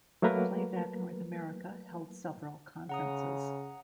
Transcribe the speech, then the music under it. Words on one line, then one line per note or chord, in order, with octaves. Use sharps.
Playback North America held several conferences.
F#3 A3 A#3 A#4 B4
C#3 F#5 A#5 D#6